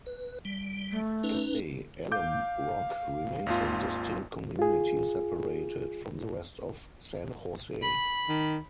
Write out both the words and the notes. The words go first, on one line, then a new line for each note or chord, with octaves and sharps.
Today, Alum Rock remains a distinct community separated from the rest of San Jose.
B4
G3
A3
C#4 D#4 B4
F5 D6 G6
G#1 D#2 F4
F4 G#4
B5
D#3